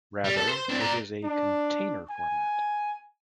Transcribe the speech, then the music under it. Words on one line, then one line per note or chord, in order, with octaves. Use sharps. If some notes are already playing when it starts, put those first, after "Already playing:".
Rather, it is a container format.
G3
A4
C5
C4 D4
D5 A#5
D4
G#5